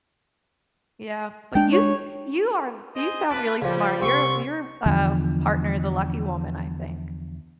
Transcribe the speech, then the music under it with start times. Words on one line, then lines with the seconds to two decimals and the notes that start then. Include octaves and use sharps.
yeah. But, you s you are g you sound really smart, your your, uh, partner is a lucky woman, I think.
1.55 G#3 D4 G5
1.73 C#5
2.94 G#4 C5 D#5
3.30 F4 B4 A5 D6
3.62 C#3 F3 G3
4.01 C2 C4 C6 C#6
4.86 E2 D3 F3